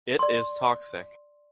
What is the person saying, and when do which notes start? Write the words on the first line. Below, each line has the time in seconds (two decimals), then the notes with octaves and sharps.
It is toxic.
0.19 D5 C6